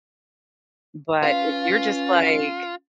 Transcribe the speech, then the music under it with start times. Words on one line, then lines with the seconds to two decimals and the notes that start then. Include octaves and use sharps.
But if you're just like,
1.23 C#4 F4 B4 F5